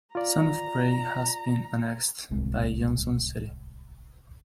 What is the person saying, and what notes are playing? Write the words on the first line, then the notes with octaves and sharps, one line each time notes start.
Some of Gray has been annexed by Johnson City.
F4 D5 A#5
D1 C2 C3 G#3